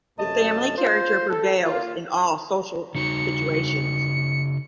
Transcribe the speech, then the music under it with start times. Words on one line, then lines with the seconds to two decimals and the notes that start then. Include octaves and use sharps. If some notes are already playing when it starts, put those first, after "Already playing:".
The family character prevails in all social situations.
0.19 F#2 C3 A3 D#5 A5
0.78 F4 C5
1.30 A4
1.65 A#3 F4
2.95 C#3 D#4 F#4 C#7